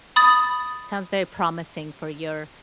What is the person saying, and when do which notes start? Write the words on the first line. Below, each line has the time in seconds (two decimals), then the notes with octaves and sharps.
sounds very promising for your
0.16 B5 D#6 A6